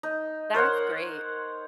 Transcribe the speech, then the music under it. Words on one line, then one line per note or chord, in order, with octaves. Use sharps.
That's great,
D#4
A#4 C5 C#5 F#5